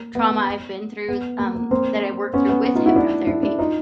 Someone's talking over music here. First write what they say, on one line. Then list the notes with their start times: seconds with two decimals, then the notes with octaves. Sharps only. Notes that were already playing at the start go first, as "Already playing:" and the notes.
trauma I've been through, um, that I worked through with hypnotherapy
Already playing: A#3
0.15 B3
1.09 B3
1.39 A#3
1.55 A#3
1.71 A#3 C4
2.33 B3 C#4
2.49 B3
2.65 B3
2.75 D#4 F4
2.85 E4 F#4
2.96 D4 E4
3.27 D4 E4
3.43 D4 E4
3.59 D#4 F4